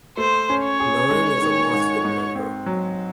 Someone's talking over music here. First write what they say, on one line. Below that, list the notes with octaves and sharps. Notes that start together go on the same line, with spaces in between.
Nine is a Motzkin number.
A3 C5
C#4
C#5
G#4
G#3
D#3
G#2
G#2
C4
F#3